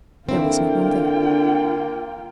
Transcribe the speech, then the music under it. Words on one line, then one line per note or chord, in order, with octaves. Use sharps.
There was no one there.
D3 A#3 C4 E4 F4 G5